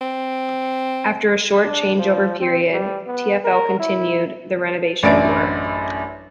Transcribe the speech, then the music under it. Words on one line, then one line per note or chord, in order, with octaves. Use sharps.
After a short changeover period, TfL continued the renovation work.
C4
D4
F3
C4
G3
B3
A#4
E4
A1 F#2 D4 D5 E5 D7